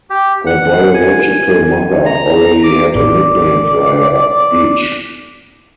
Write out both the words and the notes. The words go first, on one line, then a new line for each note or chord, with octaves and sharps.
Her biological mother already had a nickname for her, beach.
G4
F#5
G#5
A#5
D6
A1 D5